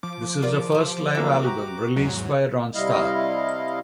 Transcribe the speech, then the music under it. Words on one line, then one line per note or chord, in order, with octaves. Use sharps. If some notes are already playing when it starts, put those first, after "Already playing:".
This is the first live album released by Ronstadt.
F3 D6
F4 A#4 D5
G4 C5
E3 F#3 A#3 E5
F#4 G4 A#5
E2 G#2 F#3
C3 G3 E4 D#5 F5